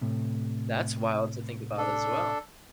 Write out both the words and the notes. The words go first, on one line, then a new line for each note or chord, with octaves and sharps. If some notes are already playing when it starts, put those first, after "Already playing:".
That's wild to think about as well.
A2 C3
D4 A4